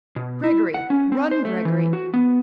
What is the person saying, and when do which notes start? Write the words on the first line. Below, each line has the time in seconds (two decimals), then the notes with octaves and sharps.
Gregory! run, Gregory!
0.16 B2
0.44 E4
0.74 F#5
0.90 C#4
1.12 C4
1.31 C5
1.45 A3
1.65 E3
1.93 F#4
2.14 B3